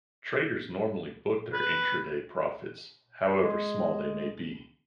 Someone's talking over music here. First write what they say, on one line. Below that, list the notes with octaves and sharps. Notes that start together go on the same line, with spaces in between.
Traders normally book their intra-day profits, however small they may be.
B4
G#3